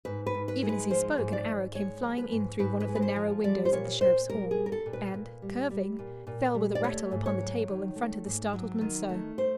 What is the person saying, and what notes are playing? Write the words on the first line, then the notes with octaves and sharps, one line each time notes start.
Even as he spoke an arrow came flying in through one of the narrow windows of the Sheriff's hall, and, curving, fell with a rattle upon the table in front of the startled Monceux.
G#2 B4
B4
G#2
B4
G#3
B4
F3 C5
G#2
D5
G#2
G#3 C#5
F3
B4
G#2
G#2 B4
B4
G#3
B4
C5
F3
G3 D5
C5
A#2 C#5
A#2 C5
G3 A#4
G#4
G3
A#4
A4
A#2
B4
A#2
G3
G3
A#2
A#2
G3
D5
A3 C#5
G#2
C#5
F#3
D#3
A3
G#2
F#3
D#3
A3
C5